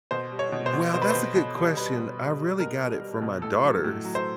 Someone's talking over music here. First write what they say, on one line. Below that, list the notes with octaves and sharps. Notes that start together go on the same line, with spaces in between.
Well, that's a good question, I really got it for my daughters.
B2 C5
G3
C#5
B2
C5
B2
B2 C5
B4
B2 C5
B2
G3
G3 B4
B2
G3
G3
B2 A#4
G3
G3
B2
A2 A4
F#3
A2
F#3
C5